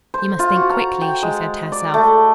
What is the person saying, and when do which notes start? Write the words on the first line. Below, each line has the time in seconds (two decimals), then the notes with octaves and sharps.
"You must think quickly," she said to herself.
0.14 C5
0.39 F4
0.56 F#4
0.70 A#5
1.01 G5
1.23 G#3
1.72 D5
1.94 A3